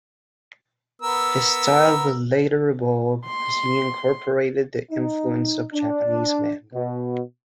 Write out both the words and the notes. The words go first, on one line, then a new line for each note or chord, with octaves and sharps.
His style would later evolve as he incorporated the influence of Japanese manga.
B3 A#4 E6
C6
D#4
D4
B2